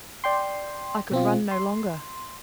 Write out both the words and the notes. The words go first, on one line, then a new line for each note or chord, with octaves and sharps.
I could run no longer.
D5 G5 C6
B2 C4 F4
C6